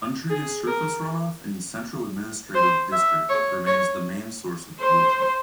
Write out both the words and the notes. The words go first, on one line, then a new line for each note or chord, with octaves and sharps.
Untreated surface runoff in the Central Administrative District remains the main source of pollution.
G#4
A#4
C5
E5
C#5
C#5
C5